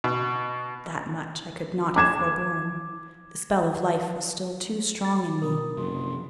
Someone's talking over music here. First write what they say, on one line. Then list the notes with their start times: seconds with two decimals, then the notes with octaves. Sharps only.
That much I could not have forborne; the spell of life was still too strong in me.
0.04 B2
1.96 D6 G#6 E7
5.05 A6
5.42 B2 A#4 D#6
5.77 F#1 C3 F3 F#3 C6